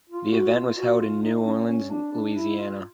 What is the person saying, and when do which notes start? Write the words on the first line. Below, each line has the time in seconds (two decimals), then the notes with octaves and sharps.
The event was held in New Orleans, Louisiana.
0.10 F4
0.32 F#4
0.55 F4
0.77 F#4
0.99 F4
1.22 D#4
1.46 C#4
1.67 C#4
1.91 D4
2.13 D4
2.35 E4
2.59 F4